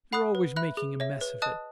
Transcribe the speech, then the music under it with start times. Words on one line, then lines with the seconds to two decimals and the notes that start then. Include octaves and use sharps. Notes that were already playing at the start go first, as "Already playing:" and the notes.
You're always making a mess of it.
0.13 F#5 B5 D#6 F#6
0.35 B4
0.56 E5 B5 F#6
0.77 G#4
1.00 C#5 E5
1.21 B4
1.42 D#5 A5 D#6 F#6